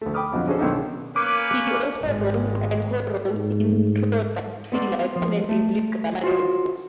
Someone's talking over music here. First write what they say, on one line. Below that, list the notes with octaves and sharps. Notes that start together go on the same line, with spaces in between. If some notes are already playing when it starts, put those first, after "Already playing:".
He also wrote and co-wrote introductory Latin and English grammar text books.
D2 A3
G5 B5 D6 D#6 F6
F2 B2 D3 F3 F#3
C#4 D4 F#4 G#4 A4 C5
B1 D#3 B3 D4 D#4 E6
C#3
A#3 C#4 B4 D6
G#1 G#3
G#2
B3 C4 D5
F3
A3
F4 F#4 C5 C#5